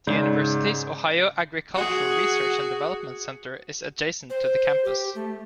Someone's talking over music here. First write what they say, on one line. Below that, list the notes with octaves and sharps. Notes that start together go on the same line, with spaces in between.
The university's Ohio Agricultural Research and Development Center is adjacent to the campus.
G#2 C#3 D5 G6
F#4 G#4
C5
G4
A3